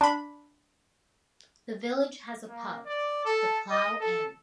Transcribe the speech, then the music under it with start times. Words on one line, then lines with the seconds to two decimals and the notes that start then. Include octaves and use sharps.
The village has a pub, the Plough Inn.
0.01 D4 B5
2.48 A#3
2.86 D5
3.24 A4
3.70 D#5
3.99 A4